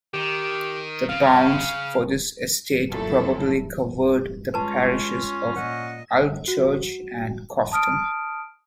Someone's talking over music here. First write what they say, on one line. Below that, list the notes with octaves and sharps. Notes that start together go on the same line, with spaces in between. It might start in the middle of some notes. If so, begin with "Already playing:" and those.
The bounds for this estate probably covered the parishes of Alvechurch and Cofton.
D#3 G4
C#3 F5
F#2 A#2 A3 E4 A4
G#3 C#4 F4 B4 A5
A#2 D#5 F#5
F#4
A5 D#6 F6 D7